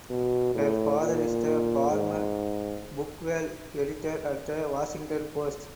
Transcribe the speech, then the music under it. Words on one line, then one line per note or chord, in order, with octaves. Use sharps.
Her father is the former "Book World" editor at the Washington Post.
B2
A2
A#2
G#2